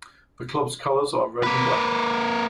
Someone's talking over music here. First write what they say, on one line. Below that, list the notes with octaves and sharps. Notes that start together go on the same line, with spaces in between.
The club's colors are red and black.
A#3 B4